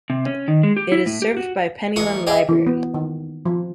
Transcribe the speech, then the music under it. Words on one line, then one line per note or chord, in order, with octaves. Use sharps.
It is served by Penylan Library.
C3
C#4
D#3
G#3
G4
E4
A2
G4
F#4
A1 C#6 D#6
G4 G#4 D#5 E5
E3
B3
D#3
F3